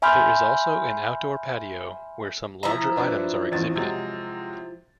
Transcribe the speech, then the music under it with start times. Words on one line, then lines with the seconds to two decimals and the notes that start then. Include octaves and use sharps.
There is also an outdoor patio where some larger items are exhibited.
0.02 E5 G#5 B5 C6 F6 G6
2.63 F3 E4 A#5
2.96 D4 B4
3.52 A1 E2 A6
3.76 C3 F#3 G#3